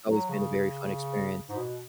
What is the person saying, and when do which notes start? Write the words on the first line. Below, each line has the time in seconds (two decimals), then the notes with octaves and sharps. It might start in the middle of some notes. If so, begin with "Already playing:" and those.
it's always been a very fun experience,
0.09 F#3
0.29 C#3
1.49 G#2
1.56 B2